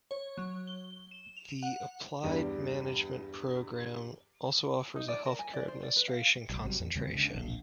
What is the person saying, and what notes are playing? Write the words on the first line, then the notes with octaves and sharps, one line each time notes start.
The Applied Management program also offers a Healthcare Administration concentration.
C#5
F#3
G7
E7
F7
F#5
E2 G2 G3 D5
D#4
D5
A#4
G#5
D5
C5
D5
B4
F5
F1 B1
G#1 C3 F#3 G3
E2
D#2 C#3 G3 C4
C#2 D3
D1 A#1